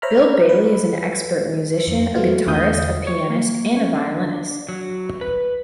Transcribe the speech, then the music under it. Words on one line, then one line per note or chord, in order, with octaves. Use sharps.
Bill Bailey is an expert musician, a guitarist, a pianist and a violinist.
C5 C#5 E5 A#5 B5 F6
B4
F2
F#3 G#3 A3 B3 F4 F#4
E2 D3 A3 F5 D#6 G6
C#5
A#3
C#4
D4
F#3
B4